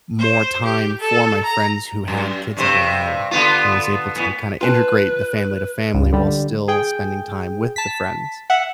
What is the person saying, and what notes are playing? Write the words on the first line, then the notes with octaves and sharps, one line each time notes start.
more time for my friends who had kids of their own and was able to kinda integrate the family to family while still spending time with the friends.
C5
G4
A4
A#5
F#2
G2 C3 C5
D3 B3 F4
A2 B3
F4 B4 G#5 A5
C#2
D3 G3
G#4 G5
A5 B6
E5 F#5